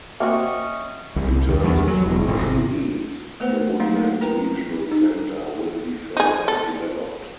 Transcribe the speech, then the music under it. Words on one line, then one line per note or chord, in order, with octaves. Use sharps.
In terms of commercial needs, the Woodlands Regional Centre will be further developed.
A#3 C4 C#4 F#4 D#5 E5 C#6
C2
D#2
E2
F#3
E1
G#1
C3
A3 B3 B4 C5 F#5
F#3 A3 A#3 D#4 F5 F#5
E4 A#4 B4 G5 A#5
D#4
D#4 G#4
A4